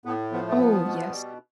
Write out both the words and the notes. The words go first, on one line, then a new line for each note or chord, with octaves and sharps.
Oh, yes.
A2 B3
F3 B3
A3
F3 B3
B2
G3